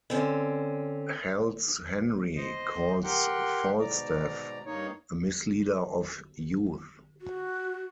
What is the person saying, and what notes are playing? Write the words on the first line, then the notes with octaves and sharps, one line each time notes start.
Hal's Henry calls Falstaff a misleader of youth.
D3 C4 C#4
C5 D#5
G4 A#4 F#5 G5 C6 F#6
G#2 B2 D5 A#5
G2 A#3 D#4 C#5
F#4